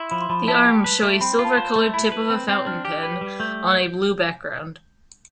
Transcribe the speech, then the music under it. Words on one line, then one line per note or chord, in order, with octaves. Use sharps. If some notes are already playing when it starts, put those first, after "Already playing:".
The arms show a silver-colored tip of a fountain pen on a blue background.
Already playing: E4 C6
F3 B5
C6
F3 B5
E4 A5
G4
B4
A3
C4 B5
F4
A5
C5
A3
E4 B5
B4
C4
C4
D4 F6
G4
B4
G3
A3 G6